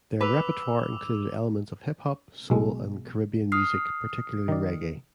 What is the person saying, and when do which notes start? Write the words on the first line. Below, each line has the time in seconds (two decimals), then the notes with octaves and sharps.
Their repertoire included elements of hip hop, soul and Caribbean music, particularly reggae.
0.21 B4 D6 E6 F7
2.50 B1 G#3
3.52 D#6 F6 C7
4.48 D#3 D5